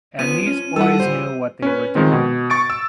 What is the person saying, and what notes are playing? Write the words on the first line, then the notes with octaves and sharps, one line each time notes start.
And these boys knew what they were doing.
F3 B3 C#4 D#7
C#4
G3 D4 E4 F4 A4 F#5 E6
E3 F3 G3 G4 C5
C#4 B4
D#3 F3 G#3 C4
B2
C#6 A6 D7
E6